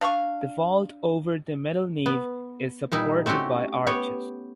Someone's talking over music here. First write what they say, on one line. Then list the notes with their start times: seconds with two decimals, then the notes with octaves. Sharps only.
The vault over the middle nave is supported by arches.
0.01 D4 F5 C6 C#6
2.06 B3
2.92 A#2 G3 D#4 E4
3.26 A3 C4 C#4 F#4 G4
3.87 B3 G4 C#5